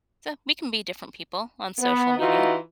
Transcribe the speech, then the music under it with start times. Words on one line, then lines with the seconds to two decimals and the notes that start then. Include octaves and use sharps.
So we can be different people on social media,
1.78 B3
2.17 E3 D#4 F4 F#4